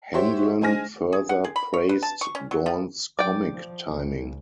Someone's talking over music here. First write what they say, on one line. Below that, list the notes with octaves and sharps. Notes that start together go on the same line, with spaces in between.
Handlen further praised Dorn's comic timing.
F#4 G4 C5 C#5 E5 C6
G#3 D4 C5 G#5 F6 A#6
G#4
F#5
G#4
B5
C#5
B4
A5
C#6
C#4
F#3
F3
F#3 D5 G5
F3
C#2